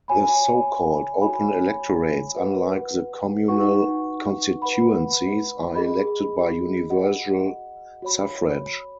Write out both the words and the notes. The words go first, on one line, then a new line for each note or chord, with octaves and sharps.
The so-called "Open electorates", unlike the "communal constituencies", are elected by universal suffrage.
F#4 C#5 G#5 B5
F#4 C#5 G#5 B5
F#4 B4 F#5
D#4 F#4 B4 F#5 C#6
B4 F#5 B5
G#4 D#5 B5
F#4 D#5 F#5
F#4 C#5 B5